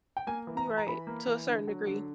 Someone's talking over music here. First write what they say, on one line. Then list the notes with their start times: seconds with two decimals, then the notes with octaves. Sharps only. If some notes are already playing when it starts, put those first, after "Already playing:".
you right. To a certain degree.
0.17 G5
0.27 A#3 G#5
0.47 E3
0.57 A#5
0.67 E3
0.77 A#5
0.87 E3 B5
1.07 A#3
1.27 E3
1.47 D3
1.67 F#3
1.87 D3